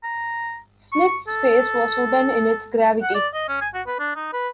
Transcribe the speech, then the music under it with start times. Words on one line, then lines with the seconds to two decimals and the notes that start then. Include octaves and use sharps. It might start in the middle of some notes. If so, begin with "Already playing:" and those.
Smith's face was wooden in its gravity.
0.03 A#5
0.92 C#6
1.27 A4
3.02 F#5
3.15 D5
3.34 D#5
3.48 C#4
3.61 G#5
3.74 F#4
3.87 B4
3.99 D4
4.16 D#4
4.33 B4